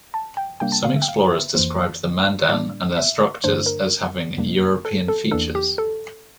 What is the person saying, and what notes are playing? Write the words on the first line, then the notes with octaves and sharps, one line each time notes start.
Some explorers described the Mandan and their structures as having "European" features.
A5
G5
C3 G3 A#3 D4 G5
A5
F5
E5
G5
F5
E5
F2 E3 A#3 C5
A2 G3 A#3 D4 D5
E5
G2 D3 A3 D4 C5
A#4
F2 C3 G3 A#3 D4
A4
A4
E2 E3 A#3 D4 A4
G4
A4